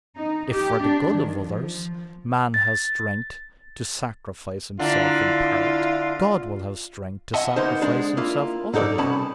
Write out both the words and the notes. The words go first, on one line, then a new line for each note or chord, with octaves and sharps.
If for the good of others, man has strength to sacrifice himself in part, God will have strength to sacrifice Himself utterly.
D#4
G4
D4
D#3
F3
A6
D3 A#3 E4 F4
D#5 E5 F#5 G#5 A5
A#3 B3 D#4 C5
G#3 D4
A#3 E4 F4
G#2 D#4 A4 A#4 D5
C2 B2 C#4 B4 A5 B5